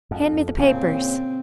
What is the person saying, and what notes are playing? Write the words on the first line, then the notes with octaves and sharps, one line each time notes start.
Hand me the papers.'
F2
A#2 C#3 C4